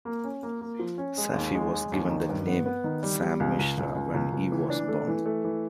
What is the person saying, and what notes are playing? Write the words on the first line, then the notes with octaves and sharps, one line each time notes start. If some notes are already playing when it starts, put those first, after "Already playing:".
Safi was given the name Sam Mirza when he was born.
A#3
C#4
A#3
A#3
F3
C#4
G#3
D#2
G#3
G#3
D#2
D#3
G2
B3
B3
D#3
G3
G3
C#2
C#2
C#2
C#2
C#2
C#2
E3
D4
A3
E3
A3
E3